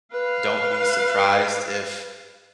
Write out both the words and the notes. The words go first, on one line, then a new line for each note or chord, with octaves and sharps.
don't be surprised if
B4 F5